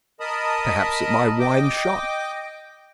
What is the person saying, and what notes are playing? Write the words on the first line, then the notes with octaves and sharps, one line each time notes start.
"Perhaps at my wine-shop?"
A#4 D#5 A5 B5 D#6
D#5 G5 D6